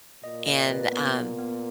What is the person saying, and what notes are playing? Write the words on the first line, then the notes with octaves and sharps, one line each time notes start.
and, um
A#2 D#5
D#5
B4
B3
B3
B3